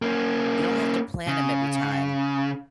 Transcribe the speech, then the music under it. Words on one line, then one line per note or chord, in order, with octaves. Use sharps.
you don't have to plant 'em every time.
A#3 C#4
C#3